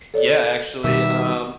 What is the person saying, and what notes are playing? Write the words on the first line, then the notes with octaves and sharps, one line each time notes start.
Yeah, actually, um,
A4 C#5 D5
B2 D#3 G3 E5